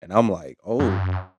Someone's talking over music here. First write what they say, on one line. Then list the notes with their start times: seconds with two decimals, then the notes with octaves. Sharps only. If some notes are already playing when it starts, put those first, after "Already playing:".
And I'm like, oh.
0.79 F#2
0.91 G2
1.01 F#2